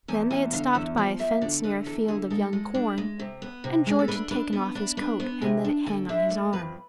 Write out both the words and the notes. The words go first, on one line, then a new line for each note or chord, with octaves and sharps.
Then they had stopped by a fence near a field of young corn and George had taken off his coat and let it hang on his arm.
E2 G#5
E2 G#5
D3 F5
E2 E5
F3 D5
F3 E5
D3 D5
D3 B4
E2 A4
D3 G#4
G#3 A4
G#3
D4
G#3
C3
B3
C3
G#3 G#4
A4
D4 B4
D4 B4
B3
D4
D4 B4
B3 C5
C3 G#5
D4
D3 G#5
D4 E5
A3 D5
F2 B4